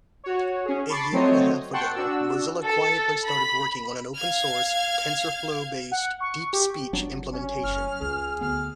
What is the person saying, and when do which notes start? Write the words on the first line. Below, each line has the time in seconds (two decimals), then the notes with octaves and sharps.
A year and a half ago, Mozilla quietly started working on an open source, TensorFlow-based DeepSpeech implementation.
0.24 F#4 C#5
0.65 C#4 G#4
0.89 A5 B5 C#6 D6 A6 C7
1.12 F#3 A3 C4 C5 C#5 D#5
1.73 F#5 G5 A5 C6 C#6
1.94 D4 F#4 E6
2.65 A4
3.25 B5
4.17 F5 F6 G#6
5.92 F#5
6.21 C#6
6.53 G4
6.93 G1 F#3 D4
7.33 C#4
7.63 F#1 F6
8.01 C#2 G#4
8.41 D2 B3 F6